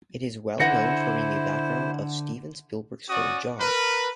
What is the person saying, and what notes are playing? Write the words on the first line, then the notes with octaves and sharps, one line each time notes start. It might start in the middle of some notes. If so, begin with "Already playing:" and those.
It is well known for being the background of Steven Spielberg's film "Jaws".
D3 E4 C5 F#5 A#6 C#7
C#4 F#4 D5 D#6
A#4 B4